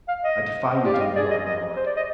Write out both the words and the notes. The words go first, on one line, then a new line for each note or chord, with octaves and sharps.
"I defy you to ignore it, my lord."
F5
D#5
C5
G4 D5
F5
D#5
G#4 D5
D#5
D#5
C5
D5
D#5